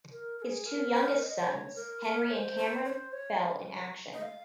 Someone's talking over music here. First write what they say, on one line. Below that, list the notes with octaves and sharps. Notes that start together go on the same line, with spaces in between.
His two youngest sons-Henry and Cameron-fell in action.
A#4
A#4
G#4
A#4
A#4
D#5
C5
C#5
A#4
A#4
C#5
C5
C5
C#5
C5
C#5
D#5
F5